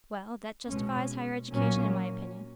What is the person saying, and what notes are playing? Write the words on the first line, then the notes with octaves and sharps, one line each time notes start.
Well, that justifies higher education in my opinion.
B2 G#3 C#4
A#2 F#3 A#3 C#4